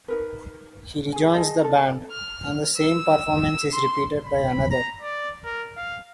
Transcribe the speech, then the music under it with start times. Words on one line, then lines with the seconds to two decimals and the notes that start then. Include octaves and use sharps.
He rejoins the band, and the same performance is repeated by another.
0.08 D#4 A#4 B4
1.12 G#4 G#5
1.34 G#4 A#4 D#5 A5
1.64 A4
2.11 F6
2.76 E6
3.73 C6
4.26 B5
4.70 A#5
5.02 D5
5.44 A#4
5.77 F5